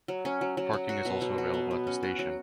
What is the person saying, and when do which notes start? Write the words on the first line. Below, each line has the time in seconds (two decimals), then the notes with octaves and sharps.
Parking is also available at the station.
0.08 F#3
0.25 C#4
0.41 F#3
0.57 F#3
0.73 F#3
0.89 F#4
1.05 B2
1.22 F#3
1.38 F#4
1.54 B3
1.71 B3
1.87 C#4
2.03 F#4
2.19 F#3